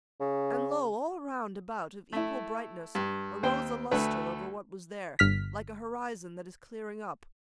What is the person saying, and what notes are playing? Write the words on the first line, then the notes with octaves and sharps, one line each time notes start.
And lo! all round about of equal brightness Arose a lustre over what was there, Like an horizon that is clearing up.
C#3
A3 E4
G2
D#2 C4 C5 G5
D2 A3 B4
G1 F6 B6